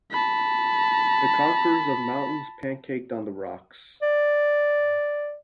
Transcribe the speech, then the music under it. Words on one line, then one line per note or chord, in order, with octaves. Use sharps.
These conquerors of mountains pancaked on the rocks.
A5 B5
D5